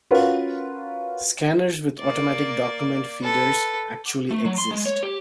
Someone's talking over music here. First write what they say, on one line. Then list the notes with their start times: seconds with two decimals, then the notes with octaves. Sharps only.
Scanners with automatic document feeders actually exist.
0.11 C#4 F4 F#4 A#4 B4
2.00 A#3 D5
3.22 A4 B4
4.31 A3
4.45 F#3
4.58 C6
4.71 G#3
4.86 C#5
5.03 G4